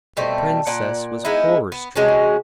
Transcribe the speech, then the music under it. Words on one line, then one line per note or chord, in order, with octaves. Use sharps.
The Princess was horror-stricken.
B2 G3 A3 C4
A#2 D5 F#5
G#3 B3 D#4 E4
B3
C3 G#3 C#4 F#4